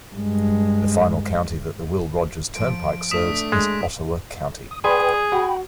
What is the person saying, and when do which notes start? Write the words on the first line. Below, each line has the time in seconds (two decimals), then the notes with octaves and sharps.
The final county that the Will Rogers Turnpike serves is Ottawa County.
0.15 G2 G#3
2.55 F3 D7
3.11 A3 D4 D#6 B6 E7
3.52 G#3
4.71 D#6
4.84 G#4 B4 D5 G5 B5 C6 D#6
5.32 F#4 G5 B5